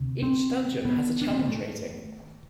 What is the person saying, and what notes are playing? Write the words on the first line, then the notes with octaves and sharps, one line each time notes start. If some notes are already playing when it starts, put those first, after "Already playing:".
Each dungeon has a "challenge rating".
Already playing: D2 C3
C4
B3
D4
C4
B3
A3